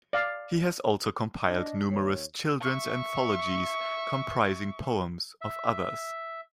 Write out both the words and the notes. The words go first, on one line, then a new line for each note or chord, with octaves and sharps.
He has also compiled numerous children's anthologies comprising poems of others.
D5 F5
D4 D#5
D#2 C#5
E5 C#6
E5